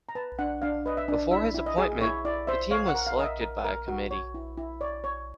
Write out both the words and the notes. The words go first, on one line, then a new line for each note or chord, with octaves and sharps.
Before his appointment the team was selected by a Committee.
A#5
B4 A5
D4 F#5
D4 F5
B4 D#5
E5
D4
E4 E5
E4
D#5
G#4
E4 C#5
E4 D5
C5 E5
C#5 F5
F#5
A#4
F5
A#4 D#5
E5
A#4
A#4
F#4
C#5
E4
E4
C#5 D5
C#5